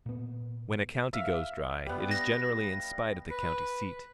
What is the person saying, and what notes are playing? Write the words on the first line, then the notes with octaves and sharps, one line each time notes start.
When a county goes dry, it is generally in spite of the county-seat.
A#2 B3
E5 F5
G3 B3
A#6
B4